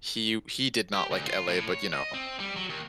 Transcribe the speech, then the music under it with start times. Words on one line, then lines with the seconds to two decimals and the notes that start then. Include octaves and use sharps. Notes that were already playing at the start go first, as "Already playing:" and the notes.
he he did not like LA, but, you know
0.94 G4
1.11 D2
1.27 F4
1.47 A2
1.69 C#5
1.93 D#5
2.14 C4
2.40 G3
2.56 F#3
2.70 D#2